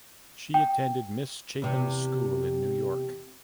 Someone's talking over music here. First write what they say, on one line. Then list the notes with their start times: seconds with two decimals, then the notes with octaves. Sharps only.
She attended Miss Chapin's School in New York.
0.54 G5
1.62 E2 C3